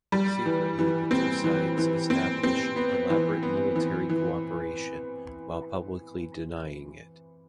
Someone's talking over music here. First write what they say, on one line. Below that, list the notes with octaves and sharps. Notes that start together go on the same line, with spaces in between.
Secretly the two sides established elaborate military cooperation, while publicly denying it.
G3
E3
E3
C4
E3
E3
C4
C4
B3
E3
B3
E3
E3